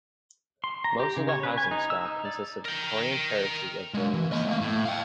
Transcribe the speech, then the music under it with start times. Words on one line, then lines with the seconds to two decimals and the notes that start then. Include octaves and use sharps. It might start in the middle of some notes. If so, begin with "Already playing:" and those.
Most of the housing stock consists of Victorian terraces of various sizes.
0.64 C6
0.84 A#5
1.00 G4
1.17 C#3
1.29 C#5
1.43 B4
1.58 G#5
1.71 D#4
1.90 E6
2.05 D#4
2.25 D5
2.65 A#4 G5
3.94 G#3 D4
4.13 E3
4.32 A#3 D#5
4.47 A3 F5
4.61 A2
4.85 F5 G5